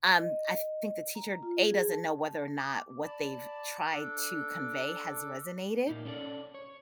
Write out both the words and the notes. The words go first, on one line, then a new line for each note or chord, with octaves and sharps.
um, I think the teacher, A, doesn't know whether or not what they've tried to convey has resonated,
D#5
A#5
F4
G#4
A5
D6
D5 A5 B5
D4 A4 D6
A#2 A#3 D#4
C#4 D4 A4 D5
C#5